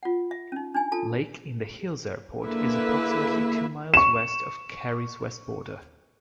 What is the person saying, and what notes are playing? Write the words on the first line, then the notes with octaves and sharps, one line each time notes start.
Lake in the Hills Airport is approximately two miles west of Cary's west border.
F4 F#5
E5
C#4 D#4
D4 D#4 G#5
F4 A4 A5
D3 A#3 E4 G#4 B4 E5
C#6 E7